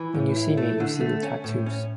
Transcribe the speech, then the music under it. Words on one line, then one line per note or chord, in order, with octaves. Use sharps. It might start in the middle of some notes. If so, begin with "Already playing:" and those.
When you see me, you see the tattoos.
Already playing: E3
A2
E4
A3
D3
A3
C#4
A2
C#4